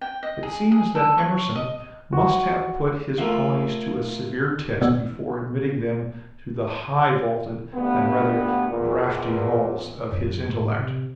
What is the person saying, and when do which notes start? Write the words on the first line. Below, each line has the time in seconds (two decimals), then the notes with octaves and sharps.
It seems that Emerson must have put his cronies to a severe test before admitting them to the high-vaulted and rather draughty halls of his intellect.
0.01 G5
0.23 D#5
0.43 G#4
0.72 G#4
0.95 A4
1.18 C#6
1.56 D#5
2.13 F#4
3.18 F3 A3 A#3
4.82 B2 B3 D5 E6 G#6
7.75 D2 G2 B3
8.68 E2 A#2
10.12 F#2
10.56 A2
10.79 C3